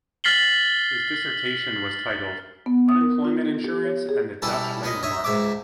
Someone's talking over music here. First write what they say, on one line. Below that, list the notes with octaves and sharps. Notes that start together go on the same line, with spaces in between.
His dissertation was titled "Unemployment insurance and the Dutch labour market".
F6 A6 B6 C7 F#7 G7
B3
D#6
A#4
F4
A4
G4
C#5
G#4
B2 G3 C#4 E4 A4 A5
C#4 B4 D#5
C#5 D#5 E5
C#2 G#2 C#5 E5 D6